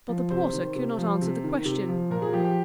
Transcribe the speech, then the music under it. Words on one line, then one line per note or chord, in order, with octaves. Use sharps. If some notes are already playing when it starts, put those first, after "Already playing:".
But the porter could not answer the question.
F3
C3 C5
D#3
C3
F3
C3
D#3
C3
F3
A#2 A#4
G#4
F3 G4
G4